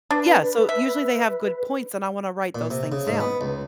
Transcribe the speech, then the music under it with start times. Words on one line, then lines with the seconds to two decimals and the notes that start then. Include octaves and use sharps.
Yeah, so usually they have good points, and I wanna write those things down.
0.11 D4 B4
0.69 E5
2.55 A#2
2.70 C3
2.92 C#3
3.07 G#2
3.20 B3
3.41 C#2